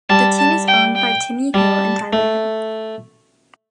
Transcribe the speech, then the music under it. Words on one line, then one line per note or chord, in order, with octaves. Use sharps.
The team is owned by Timmy Hill and Tyler Hill.
G3 A5
A5
G5
G5
G3 A5
A3